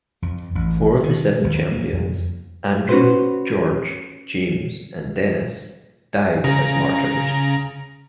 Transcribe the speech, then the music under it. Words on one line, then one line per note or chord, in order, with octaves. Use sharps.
Four of the Seven Champions-Andrew, George, James, and Denis-died as martyrs.
F2
A1
D#3
D#2
A#3
F2
C#4 F#4 B4 C5
C#3 A#5